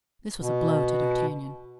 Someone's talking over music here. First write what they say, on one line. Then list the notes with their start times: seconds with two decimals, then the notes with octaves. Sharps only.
This was a blow to D'Artagnan.
0.40 B2